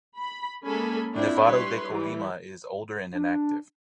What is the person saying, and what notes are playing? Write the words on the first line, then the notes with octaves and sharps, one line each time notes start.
Nevado de Colima is older and inactive.
B5
G#3 A#3 C#4 A4 G#5 B5
C4 D4 E4 F4
G3 E4 B4 C#5 C6
E3 G3
D4